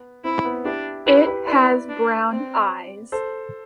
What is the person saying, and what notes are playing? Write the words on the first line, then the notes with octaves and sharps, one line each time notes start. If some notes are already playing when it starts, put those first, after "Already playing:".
It has brown eyes.
Already playing: B3
C4 E4
B3
D4 E4 G4
E4 G4 B4
G4 B4
E4 B4 D5
D4
C4
A4 C5